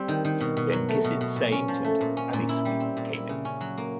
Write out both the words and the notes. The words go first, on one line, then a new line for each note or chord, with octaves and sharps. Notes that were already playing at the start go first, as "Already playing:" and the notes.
Then Kissin Saint and Alysweep came in.
Already playing: G3 C4
D#3
D#3
B2
B2
F#3
A3
B2
B2
A#2
C#4
F3
A3
A#2
C#4
A#2
E4
G3
C4
A#2
E4
C#3
C#4
F#3
A#3